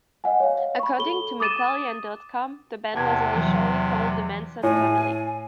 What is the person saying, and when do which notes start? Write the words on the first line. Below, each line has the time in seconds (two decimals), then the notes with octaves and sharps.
According to metallian dot com, the band was initially called The Manson Family.
0.24 D#5 F#5 G#5
0.40 C#5 F5
0.79 B5 C#6
0.99 A4 G7
1.40 D6 D#6 A6 D#7 E7
2.94 E2 C3 F#5 A5 G#6
3.35 E3 F#3
4.63 A2 G#5